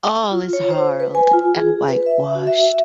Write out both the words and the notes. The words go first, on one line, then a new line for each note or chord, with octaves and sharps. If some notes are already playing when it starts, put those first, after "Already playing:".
All is harled and whitewashed.
F4
C#5
C5
B4
G#5
F4
G#4
B4
E5
F#4
E5
E5